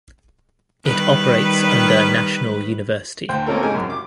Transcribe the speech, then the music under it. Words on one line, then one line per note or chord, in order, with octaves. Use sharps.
It operates under National University.
D#3 G3 B4
D2 C5 G5
A#3 C4 C#4 F4 A4 A#4
G#2 C#3 A#4 G#5
C2 F#2
D6